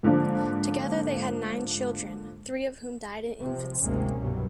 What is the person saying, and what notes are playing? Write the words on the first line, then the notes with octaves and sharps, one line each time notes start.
Together they had nine children, three of whom died in infancy.
G#2 D3 F3 A#3 D4
C3 F3
G#1 D2 C3 G#3 A#3 C#4
C2 G2 B2 F#3